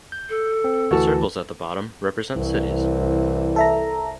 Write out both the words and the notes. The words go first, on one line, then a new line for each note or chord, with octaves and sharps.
The circles at the bottom represent cities.
G6
A4
C4
D2 E3 F#4 A5
C2 E3
A4 E5 A#5